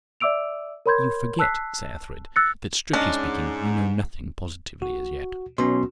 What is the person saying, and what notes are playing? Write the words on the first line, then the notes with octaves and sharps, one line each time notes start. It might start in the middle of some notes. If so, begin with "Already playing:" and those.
"You forget, Sir Ethelred, that strictly speaking we know nothing positively--as yet."
D5 E5 D6 E6 D7 F7
A#4 C#5 B5 C6 G6 G#6
A5 E6 F#6 B6 C7
E6 F#6 A6 A#6 C#7
G#2 C#4 D4 D#5
F#4
B1 B2 C#4 C6